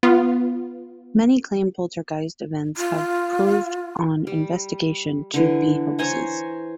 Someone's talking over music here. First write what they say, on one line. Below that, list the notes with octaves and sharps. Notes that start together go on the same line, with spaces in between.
Many claimed poltergeist events have proved on investigation to be hoaxes.
B3 F4
F4
G3
D3 E3
C5 C#5 G#5 A#5